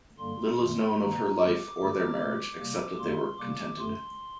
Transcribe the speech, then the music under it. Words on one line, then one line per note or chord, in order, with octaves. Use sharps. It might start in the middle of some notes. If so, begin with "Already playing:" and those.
Little is known of her life or their marriage, except that they were contented.
G2 D3 G3 A#3 C6
F#2 D#3 A3 C6
G2 D#3 G3 A#3 A#5
F#2 D3 G3 A#3 D6
G2 D3 A3 D6
A#2 A3 D6
C3 G3 A#3
F#2 D#3 G3 A#3 C6
C3 G3 A#3 D6
F#2 D3 A3 C6